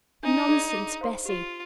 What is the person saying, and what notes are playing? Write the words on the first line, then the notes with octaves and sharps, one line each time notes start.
'Nonsense, Bessy!'
D4 D#4
G#4 D5
G#4
C5 F5 C6
F4 G4